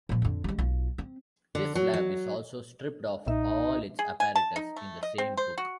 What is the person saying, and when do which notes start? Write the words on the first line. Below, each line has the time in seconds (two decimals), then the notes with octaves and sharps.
His lab is also stripped of all its apparatus in the same book.
0.09 A#2 F3
0.22 F2 D3
0.44 G3 G#3
0.58 B1 F4
0.98 C4
1.55 D3
1.75 F#3
1.93 F#3
3.27 B1 A#2 D#4 E5
3.99 G#4
4.20 G#5
4.35 A5
4.56 D#4
4.76 A3
5.03 D#5
5.18 C4
5.37 C5
5.58 F#4